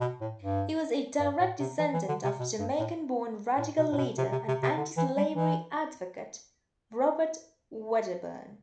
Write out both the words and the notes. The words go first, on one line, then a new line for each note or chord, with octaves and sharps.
He was a direct descendant of Jamaican-born radical leader and anti-slavery advocate Robert Wedderburn.
B2
A2
G2
G2
A2
C3
E3
E3
D3
C3
B2
G2
A2
A2
B2
A2
B2
C3
C3
C3
C3
D3
E3
G3
E3